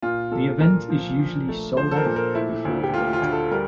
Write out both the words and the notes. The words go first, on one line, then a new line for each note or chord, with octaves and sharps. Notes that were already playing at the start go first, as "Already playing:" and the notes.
The event is usually "sold out" before the date.
A#2 F4
A#2 A4
A#2 A#4
F3
F3
A3
F3 C5
A4
A#4
A#2
A#4
A3 E4
D2
G4
A3 F4
F4
D2
A4
G3 A#4